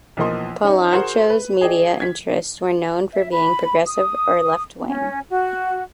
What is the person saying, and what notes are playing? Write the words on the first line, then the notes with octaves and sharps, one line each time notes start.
Polanco's media interests were known for being progressive or left-wing.
B1 E3 F3 A#3 D#5 C6
C#4 D#4
F#4 G#4 A#4 C5 F#5
B4
G#4 D5 D#5 G5
G#6 B6
E5
B5
D#6
C#4
F#4